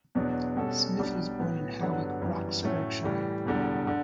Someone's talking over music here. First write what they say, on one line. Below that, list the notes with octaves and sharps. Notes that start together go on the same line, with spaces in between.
Smith was born in Hawick, Roxburghshire.
E2 B2 F#3 B3 D4
B2 G3 C#4 F#4 A4
B1 B2 G3 D4 G4
A2 F#3 B3
G2 D3 F#3 B3
F#2 E3 G3 B3
A2 F#3 A3 C#4
A2 E3 G3
E1 E2 D3 G3
D3